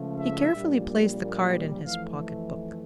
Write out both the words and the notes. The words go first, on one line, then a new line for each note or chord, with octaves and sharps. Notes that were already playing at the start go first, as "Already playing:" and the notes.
He carefully placed the card in his pocket-book.
Already playing: C#2 C#3 F3 A3
E5
A#1 A#2 G3
F2 E3 A3 F5